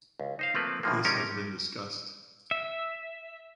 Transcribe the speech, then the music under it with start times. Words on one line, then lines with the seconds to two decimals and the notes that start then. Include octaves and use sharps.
This has been discussed.
0.20 C#2
0.39 D#4 C5 F5
0.55 F3 A3 A#3 C4 A#4 B4
0.83 A2 D3 D#3 F3 G#3 A#3
1.05 C3 G3 C#4 D#4 A#4
2.51 E5